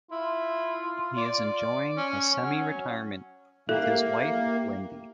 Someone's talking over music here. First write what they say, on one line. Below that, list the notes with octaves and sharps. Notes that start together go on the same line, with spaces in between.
He is enjoying a semi-retirement with his wife, Wendi.
E4 F4
D5
C#4
F#3 C#4
A#3 E4 G4 A4